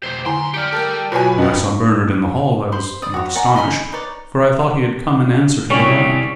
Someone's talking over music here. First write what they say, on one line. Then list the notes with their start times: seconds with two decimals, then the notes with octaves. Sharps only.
When I saw Bernard in the hall I was not astonished, for I thought he had come in answer to the light.
0.03 F1 B2 C5
0.26 B1 D3 E4 G#5 A#5 C6
0.54 G4 D5 F6 C#7
0.73 A4 A#4 G5
1.12 B1 F4 F#4 B4 C#5 G#5
1.38 F2 B3 C#4 D4 F#4 D#5
2.72 C5 B5 C6
3.02 D5 D#6
3.14 F#4 C#5
3.35 D5 F#5 G#5 A#5
3.56 D#5 G#5 B5 C#6
3.92 D#4 B4 C#5 D5
5.70 C2 G3 C#4